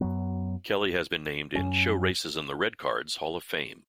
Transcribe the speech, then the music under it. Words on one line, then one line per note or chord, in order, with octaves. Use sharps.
Kelly has been named in "Show Racism the Red Card"'s Hall of Fame.
F#2 F#3 B3
F#2 F#3 C#4